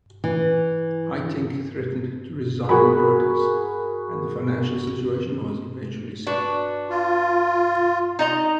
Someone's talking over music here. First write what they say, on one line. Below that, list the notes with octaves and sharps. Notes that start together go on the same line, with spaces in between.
Haitink threatened to resign in protest, and the financial situation was eventually settled.
E3
F#4 G#4 A#4 G#5 B5
D4 F#4 B4
F4
D#4 D#5 A#5